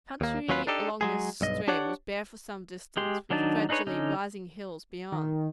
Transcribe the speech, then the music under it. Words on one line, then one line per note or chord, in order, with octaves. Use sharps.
The country along this stream was bare for some distance, with gradually rising hills beyond.
D#2 A#3
D#2 F#3 C#4 F4 B4
D4 D#4 G4 A4
F#3 G#3 G#4
B1 G2 D#5
D4 G4 C#5 D5 F#5
G#3 G4 C6
D#3 F#3 D4 D#4 A5
D4 D#4 G#4 B4 C#5
D3 C#4 D#4
D#3